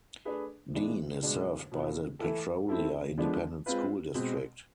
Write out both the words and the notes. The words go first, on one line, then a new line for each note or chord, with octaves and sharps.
Dean is served by the Petrolia Independent School District.
A3 D4 G#4 B4
E3 G#3 B3 D4
B2 G#3 B3 D4
B2 B3 F4
E3 A3 E4 A4
A3 C4 E4 A4
D3 F3 G#3 B3 D4
G#3 C4 F4 B4
B2 G#3 C4